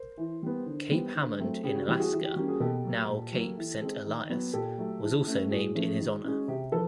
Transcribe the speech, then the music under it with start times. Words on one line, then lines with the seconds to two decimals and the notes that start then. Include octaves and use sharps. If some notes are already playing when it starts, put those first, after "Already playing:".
Cape Hamond in Alaska, now Cape Saint Elias, was also named in his honour.
Already playing: A#4 C5
0.18 E3
0.43 G3 B3
0.66 D3
0.91 G3 B3
1.15 D3
1.39 F#3 A3 C4
1.63 C#3 G4
1.75 F#4
1.87 E3 G3 C4 G4
2.00 F#4 G#4
2.12 E3 G4
2.24 G4
2.31 F#4
2.36 G3 A#3 C#4 G4
2.48 F#4 G#4
2.60 B2 G4 A4
2.84 F#3 A#3
3.09 A#2
3.32 F#3 A#3
3.57 E3
3.82 G#3 C4
4.05 D#3
4.29 F#3 B3
4.54 A#2 G4 A4
4.78 F#3 A3
5.02 E3
5.27 A3 C#4
5.51 A2 F#4 G#4
5.75 F3 A3 C#4
5.99 D#3
6.24 G#3 C#4
6.48 C3 G4
6.72 F3 A4 B4